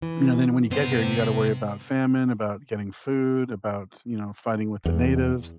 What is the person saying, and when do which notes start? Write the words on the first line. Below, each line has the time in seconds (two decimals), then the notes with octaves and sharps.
you know, then when you get here, you gotta worry about famine, about getting food, about, you know, fighting with the natives,
0.02 E3
0.71 G2 C3 B3 C4 C5
4.85 E2